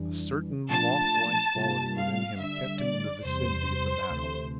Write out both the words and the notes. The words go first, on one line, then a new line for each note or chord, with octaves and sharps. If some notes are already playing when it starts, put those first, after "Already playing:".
A certain mothlike quality within him kept him in the vicinity of the battle.
Already playing: F2 E3 G3 D4
A#2 F3 A3 D4 F4 A5
C3 G3 A#3 F4
F5
D3 G3 D4 E5
D5
E2 C3 G3 C5
D2 C3 E3 A3